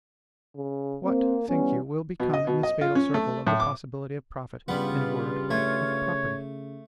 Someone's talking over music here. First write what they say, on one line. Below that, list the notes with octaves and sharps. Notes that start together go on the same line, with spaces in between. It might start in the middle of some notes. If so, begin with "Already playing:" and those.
What, think you, will become, in this fatal circle, of the possibility of profit,--in a word, of property?
C#3
A#3 C4
E3 G3 B3 C#4
B2
D#5
B2
D#5
F4
C#4
A3
A2
D6
G2 C#3 G3 B3 F4
A3 C#5